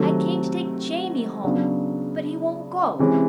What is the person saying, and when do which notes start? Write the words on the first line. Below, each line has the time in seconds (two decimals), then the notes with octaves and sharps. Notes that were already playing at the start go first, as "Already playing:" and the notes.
"I came to take Jamie home, but he won't go."
Already playing: C3 D#3 F#3 A3 C4
1.44 C#3 F#3 B3 D4
2.99 C3 E3 G#3 C#4